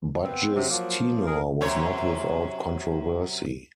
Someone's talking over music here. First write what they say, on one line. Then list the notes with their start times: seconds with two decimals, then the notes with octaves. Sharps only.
Budge's tenure was not without controversy.
0.23 B3 C4
0.55 C3 F#3
0.70 F3 A#3
1.26 G#4 A#4
1.61 F#2 C3 C#5